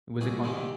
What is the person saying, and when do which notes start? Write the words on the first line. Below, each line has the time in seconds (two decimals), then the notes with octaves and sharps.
Was it called?
0.21 C2 G#4
0.44 C3 D#3 G#3